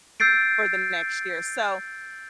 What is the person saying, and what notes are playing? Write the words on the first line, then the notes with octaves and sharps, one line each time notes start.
for the next year. So,
E6 G6 A6 C7 D7